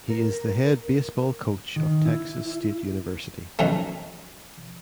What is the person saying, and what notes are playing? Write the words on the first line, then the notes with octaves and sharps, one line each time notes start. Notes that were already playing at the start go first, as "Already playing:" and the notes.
He is the head baseball coach of Texas State University.
A#4
D#3
E4
F#2 D#3 A3